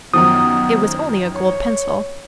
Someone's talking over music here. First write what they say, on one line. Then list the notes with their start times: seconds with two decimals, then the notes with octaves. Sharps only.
It was only a gold pencil.
0.14 F#2 D#3 F3 B3 D#6
1.34 C#5